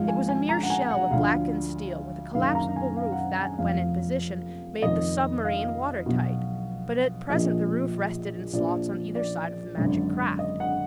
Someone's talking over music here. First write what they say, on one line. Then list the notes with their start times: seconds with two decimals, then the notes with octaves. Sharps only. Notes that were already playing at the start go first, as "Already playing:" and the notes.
It was a mere shell of blackened steel, with a collapsible roof that, when in position, made the submarine watertight, but at present the roof rested in slots on either side of the magic craft.
Already playing: G#1 G#2 F3 F5
0.08 G#5
0.29 G#5
0.49 A#5
0.63 F#5
0.70 G#5
0.91 F#5
1.11 D2 D3 F3 F5
2.35 F#1 F#2 D#3 F5
2.55 A#5
2.76 G#5
2.97 F5
3.12 F#5
3.43 G#5
3.58 F1 F2 F3 F5
4.82 F1 F2 D#3 D#5
5.45 F5
6.06 B1 B2
7.30 A#1 A#2 F3 D#5
8.53 A#1 A#2 F3 D5
9.15 D5
9.77 G#1 F#2 D3
10.39 D#5
10.60 F#5